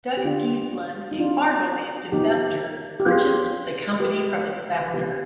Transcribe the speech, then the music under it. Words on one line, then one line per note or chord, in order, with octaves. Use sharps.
Doug Geeslin, a Fargo-based investor, purchased the company from its founder.
G4
D3 G3 B3 D4 F4
D#4
F3 C4 D4 F4
F3 B3 D#4 G4
G4
F3 B3 F4 G#4
F3 B3 G4 B4
F3 G#3 B3 G4 B4